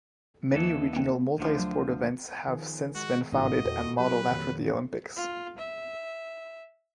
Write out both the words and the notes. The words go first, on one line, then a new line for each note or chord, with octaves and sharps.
Many regional multi-sport events have since been founded and modeled after the Olympics.
D#2 E3 A4
A#3 C4
D2 D3 F3
F#3
D#3 F3 G#4
G#3 F#4
A1 G#2 D3 A#3 E4 F#4 D#5
E2 A#2 F#4 A4 G5
F#3 G4 B4
F2 A#2 D#3 F#3
F4
E5